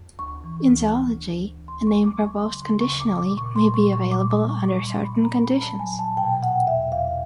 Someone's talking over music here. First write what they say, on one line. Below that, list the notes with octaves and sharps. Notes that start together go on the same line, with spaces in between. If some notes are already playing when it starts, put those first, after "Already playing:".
In zoology, a name proposed conditionally may be available under certain conditions.
Already playing: F2
D2 C#6
E3
D2
D2
E3
D2
D2 C6
C#6
F#3
D6
D2
C#6
C#3 C6
C6
C#3
C#6
D2
D6
A#2 D6
C#6
A#2
C6
G3
C#6
A#2 C#6
D6
A#2
D6
G3
C#6
F#3 C#6
C6
A#2
B5
A#2
A#5
A#2 B5
A5
F#3
G#5
A#2
A5
B2 G5
B2 F#5
E2 E5
E2 F5